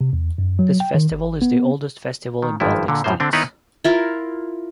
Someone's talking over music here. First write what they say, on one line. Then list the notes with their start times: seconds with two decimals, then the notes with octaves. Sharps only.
This festival is the oldest festival in Baltic states.
0.01 C3
0.13 E2
0.38 F#2
0.59 F#3
0.80 G5
0.95 D#3
1.12 G#1
1.42 B3
2.42 D#3
2.60 G#1 G2 F3 E4
2.88 A#2 D3
3.04 F#2 A2 G3 G#3 C5
3.20 D3 C4 D4
3.33 D#3 B3 D#4 E4 B4 C#5
3.84 E4 F4 A#4